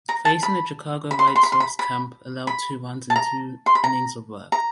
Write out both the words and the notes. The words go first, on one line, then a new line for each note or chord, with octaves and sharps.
Facing the Chicago White Sox, Camp allowed two runs in two innings of work.
A#5
A5
B5
B5
C6
B5
C6
B5
C6
B5
B5
B5
A5
A#5
C6
B5
A#5
A#5